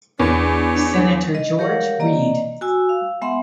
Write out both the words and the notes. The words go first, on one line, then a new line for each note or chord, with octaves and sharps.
Senator George Read.
E2 D4 C#5
D#5
G4 A#4 C#5 F5 F#5
A#3 D5 D#5 A#5
F#4 G#5 E6
F5
G#3 B3 E5 F#5 C6